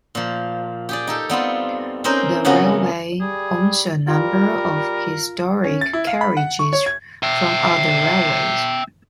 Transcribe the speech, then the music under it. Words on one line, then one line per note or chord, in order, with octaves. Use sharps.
The railway owns a number of historic carriages from other railways.
A#2 F3
G4 G#4 D5
D#4 G4 A4
G3 B3 C4 F4
C4 C#4 D#4 A#4 C5
C#3 E3 A3 B3 F#4 A#4
G3 G#4
G3 F4 A#4
C#4
A6
E4
F5
B5
F#5
C#6
C#5
G#6
E5 G5